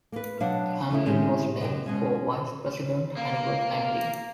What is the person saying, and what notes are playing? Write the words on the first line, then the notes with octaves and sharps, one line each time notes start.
Hamlin was named for Vice President Hannibal Hamlin.
A#3 B4
B2 F#3 D4 F5 F#5
F3 A3 D#4 E4
A2 G#3 C4 C#4 G4
F#2 D#5 G5
B2 G#3 C#4
A#3